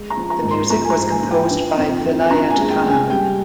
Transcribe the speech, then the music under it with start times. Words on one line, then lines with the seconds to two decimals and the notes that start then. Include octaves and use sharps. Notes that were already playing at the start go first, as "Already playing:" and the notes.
The music was composed by Vilayat Khan.
Already playing: G#3
0.10 A#5
0.17 F3
0.30 A#5
0.43 G#2
0.51 C6
0.70 F3 A#5
0.84 G#5
0.90 A#5
0.96 G#2
1.10 G#5
1.24 F3
1.31 G5
1.50 D4
1.77 F2
2.03 F2
2.31 D4 A#5
2.50 G#5
2.57 G#3
2.70 G5
2.84 G#3
2.90 G#5
3.10 G3 G5